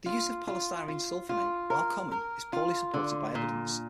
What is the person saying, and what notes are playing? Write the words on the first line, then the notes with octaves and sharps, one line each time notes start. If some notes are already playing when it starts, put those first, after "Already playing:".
The use of polystyrene sulfonate, while common, is poorly supported by evidence.
F4
F4
F4
F4
A#4
A#4
F4
D3
A#2